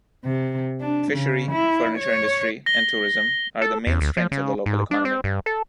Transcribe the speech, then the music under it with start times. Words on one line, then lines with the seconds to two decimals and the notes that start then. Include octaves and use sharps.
Fishery, furniture industry and tourism are the main strengths of the local economy.
0.25 C3
0.81 D4
1.12 C#3
1.51 E4
1.98 C#5
2.66 A#6 G7
3.62 A4
3.87 E2
4.01 D2
4.17 F3
4.32 C#3
4.66 G#2
4.91 D4
5.05 C4
5.24 G2
5.46 A4